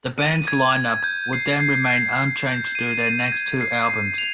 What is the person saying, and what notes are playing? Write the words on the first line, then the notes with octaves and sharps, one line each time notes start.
The band's lineup would then remain unchanged through their next two albums.
D#7
G#6
G#6
G6
C7
C7
C7
C7
G6
D#7
D#7
G#6
C7
C7
F7